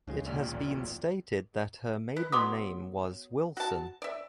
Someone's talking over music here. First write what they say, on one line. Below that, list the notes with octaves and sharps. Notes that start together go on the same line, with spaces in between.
It has been stated that her maiden name was Wilson.
D2 C#3 G#3
A#1 D#2 A#2
D1 A1 E2
B4
F#3 B3 B5 C6 D6 D#6
F#4 A5
D5 E5